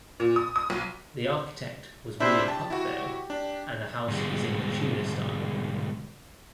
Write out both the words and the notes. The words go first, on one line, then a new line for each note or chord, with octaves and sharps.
The architect was William Huckvale and the house is in the Tudor style.
A#2
D#6
D#6
B1
C3 D4 E4 C5 E5
G4 A5
E4 F#4
D4
G#2 B2 D3 G3 G#3